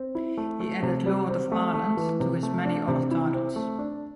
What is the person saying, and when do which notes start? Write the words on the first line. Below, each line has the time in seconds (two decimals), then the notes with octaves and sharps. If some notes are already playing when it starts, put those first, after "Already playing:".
He added "Lord of Ireland" to his many other titles.
Already playing: C4
0.15 E4
0.37 A3
0.60 A3
0.82 C3
1.06 G3
1.29 C4
1.52 A3
1.74 A3
1.97 E3
2.20 C3
2.43 A3
2.65 D4
2.88 C3
3.11 E4
3.33 C4
3.56 A3
3.79 D4